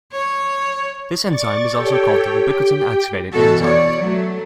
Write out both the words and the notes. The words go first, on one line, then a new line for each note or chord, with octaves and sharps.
This enzyme is also called ubiquitin-activating enzyme.
C#5
D5 C#6 A6
G4 A4 C#5 G5
G4 G5
B2 E3 F#4 A4
B2 C#5 D5
F#3 A3